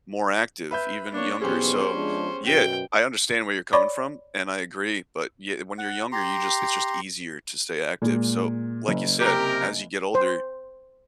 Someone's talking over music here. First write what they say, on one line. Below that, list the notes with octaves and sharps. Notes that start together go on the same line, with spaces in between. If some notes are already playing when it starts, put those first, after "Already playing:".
more active, even younger, so, yeah, I understand where you're coming from and I agree, but ye uh, when you're younger, you just it's just easier to stay active, so, like you said, as you get older,
B4 E5 G6
A#3 D4 C#5
B1 E2 B2 B3 C#4 G4 G#4 C5
F3 G#3 D4
F#2 B2 G5
C#5 D5 B5 C#6 D6
F#5
G4 A#5 C6
A#2 G#3
F#1
C3 G4 A#4
C5